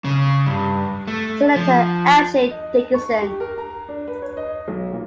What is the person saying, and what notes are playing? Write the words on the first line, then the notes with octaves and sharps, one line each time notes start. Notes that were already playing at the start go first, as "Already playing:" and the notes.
Senator L. J. Dickinson.
C#3
G2
A3
F3
D#5
C#6
G4
A#4
A#5
D4
B4
C#5
D#5
B1
A#2